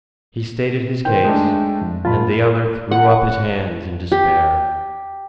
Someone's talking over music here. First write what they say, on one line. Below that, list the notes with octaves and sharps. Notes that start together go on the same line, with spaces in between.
He stated his case; and the other threw up his hands in despair.
D#3 C5 G5
G#3 A3 D4
F2
F#2 A#2 F4 A5 B5
F#5
G4